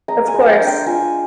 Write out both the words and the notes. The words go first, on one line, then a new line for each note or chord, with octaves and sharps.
of course.
G#3 A#5
G#5
G#3
G5
D4
G5
F4 G#5